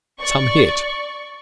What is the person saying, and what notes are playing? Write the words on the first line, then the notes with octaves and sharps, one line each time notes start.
Some hit!
D5 C#6